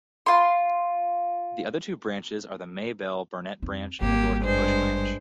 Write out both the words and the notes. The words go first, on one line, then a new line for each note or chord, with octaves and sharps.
The other two branches are the Maybelle Burnette Branch and the Dorothy Busch Branch.
F4 C6
F2 D#4
G#1 G3 A#3 G4
G2 G#3 C5